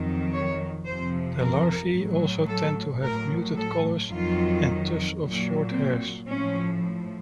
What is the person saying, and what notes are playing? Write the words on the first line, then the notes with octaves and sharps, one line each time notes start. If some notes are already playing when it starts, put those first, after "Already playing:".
The larvae also tend to have muted colors and tufts of short hairs.
Already playing: F2 D#3 F#3
C#5
F2 C3 F3 C5
A#4
A2 F#3
A4
A2 F#3 A#4
A4
F2 D#3 F#3 F4
A#2 F#3
C4
A2 F3 C#4